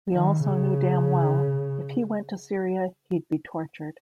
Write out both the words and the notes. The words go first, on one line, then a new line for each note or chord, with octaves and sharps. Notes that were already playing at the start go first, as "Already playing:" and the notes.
We also knew damn well, if he went to Syria, he'd be tortured.
D#3
C#3